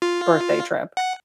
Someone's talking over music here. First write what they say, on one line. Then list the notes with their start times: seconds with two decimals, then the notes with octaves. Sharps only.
birthday trip
0.02 F4
0.97 F#5